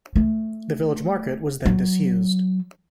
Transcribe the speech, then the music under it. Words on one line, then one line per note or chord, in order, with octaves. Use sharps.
The village market was then disused.
A3
F#3